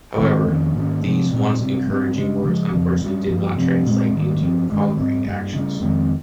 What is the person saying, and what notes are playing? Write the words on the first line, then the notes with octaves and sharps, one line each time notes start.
However, these once encouraging words, unfortunately, did not translate into concrete actions.
G#2 D#3 G#3 C4
F2 D#3 A#3 C#4
G#2 D#3 A#3 C#4
C3 F3 C4
A#2 G3 C4
C3 G3 C4
G#2 G3 C4
C#3 G#3 C#4
C#3 F3 G#3
F2 C#3 F3 C4
G2 G3 C#4
G2 F3 A#3
C3 F3 C4
A#2 G#3 C4
G#2 D#3 G3 A#3
G2 F3 C4
G2 D#3 G#3 C#4
G#2 G3 C4
G2 G3 A#3
C#3 G3 C#4
F2 D#3 G#3 C4